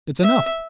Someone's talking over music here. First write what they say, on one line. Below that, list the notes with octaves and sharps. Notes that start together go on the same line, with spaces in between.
It's enough.
E5